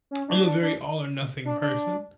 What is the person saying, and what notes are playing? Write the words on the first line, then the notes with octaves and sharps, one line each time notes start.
I'm a very all or nothing person
C#4
D4
D4
D4
D4
D4